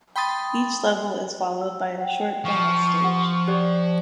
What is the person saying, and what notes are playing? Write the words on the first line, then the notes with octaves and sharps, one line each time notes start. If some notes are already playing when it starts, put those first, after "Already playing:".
Each level is followed by a short bonus stage.
G5 B5 C6 D#6 A6
E6
F#5 G5
F3 C#6
G4 F#5
G4 D5 F#6